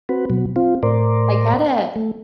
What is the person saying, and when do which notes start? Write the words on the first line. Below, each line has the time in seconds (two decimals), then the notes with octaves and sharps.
I get it.
0.09 C4 F#4 B4
0.30 B2 F#3
0.56 C4 F4
0.83 A2 A#4 C5 D5
1.96 A3